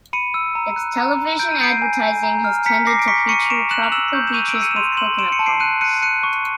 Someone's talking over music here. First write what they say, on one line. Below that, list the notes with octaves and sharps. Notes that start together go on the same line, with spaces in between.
Its television advertising has tended to feature tropical beaches with coconut palms.
B5 C#7 D#7
E6
A#5
F#6
A#5
A#5
G6 D7
D#7
G6 C7 D7
G#5
G#5
A#5
F6
A#5 B6 C#7
D6 A#6 C7
D7
C#6 B6 C#7
C#6 C#7 D#7
F7
C#6 D7 E7
F#6 E7 F#7
F7
E6 E7 F#7
G6
E7
C#6 D#7 F7
D7 E7
E6
C#7 D#7
E7
C6 D#7 F7
C6 E7 F#7
C6 D7 E7
C#7 D#7
A5
C7 D7
F#6 C#7 D#7
F#6 C#7 D#7
F#6 C#7 D#7
C#6